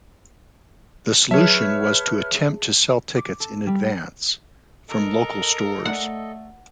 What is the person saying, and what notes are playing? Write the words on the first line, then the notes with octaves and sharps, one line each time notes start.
The solution was to attempt to sell tickets in advance, from local stores.
F#3 G#4 B4 C#5 E5 A5 F6
D6
A4
G3
A4 A#4 D#5
A3 D5 F#5